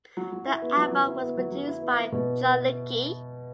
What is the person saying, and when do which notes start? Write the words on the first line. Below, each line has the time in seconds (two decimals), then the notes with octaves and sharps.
The album was produced by John Leckie.
0.17 F#3
0.32 F#3
0.47 E4
0.62 B3
0.77 F#3
0.92 F#3
1.07 E4
1.22 B3
1.37 F#3
1.52 F#3
1.67 E4
1.82 B3
1.97 E4
2.12 B2